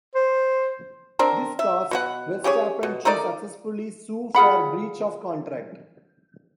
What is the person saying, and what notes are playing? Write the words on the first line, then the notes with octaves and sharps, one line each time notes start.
This caused Verstappen to successfully sue for breach of contract.
C5
C4 D4 A#4
E5
B2 B3 F#5
C#4 G4 G#4 C#5
B2
A3 D#4 A#4 D5
F4 G#4 F#5 B5